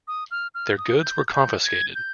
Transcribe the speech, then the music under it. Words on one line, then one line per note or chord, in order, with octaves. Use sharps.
Their goods were confiscated.
D#6
F6
F6
D#6
G6
G6
G#6
G6